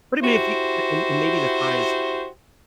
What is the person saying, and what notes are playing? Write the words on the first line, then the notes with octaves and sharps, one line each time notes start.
But I mean if you and and maybe the thought is,
E4 F#4 G4 C5